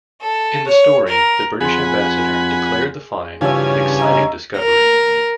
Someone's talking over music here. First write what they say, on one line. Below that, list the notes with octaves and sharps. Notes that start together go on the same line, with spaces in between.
In the story, the British Ambassador declared the find "an exciting discovery".
A4
C#5
A#4
F2 G#4 F#5 G#5 B5 C6
G2 C#3 E3 F3 C#4 E5 G#5
D#5 E5 A#5
A#4